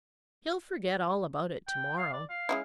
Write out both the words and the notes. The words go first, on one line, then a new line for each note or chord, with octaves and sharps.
He'll forget all about it to-morrow.'
G5
F5
D5
F5
G#3 C#4 E4